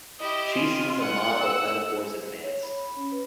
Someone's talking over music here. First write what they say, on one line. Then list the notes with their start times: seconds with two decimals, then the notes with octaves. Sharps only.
She sees a mob of metaphors advance.
0.19 E4 G4 D#5
0.54 F4 D#5 G#5
0.99 F#5
1.39 E6
2.44 C#5
2.63 B5
2.96 C#4
3.12 B4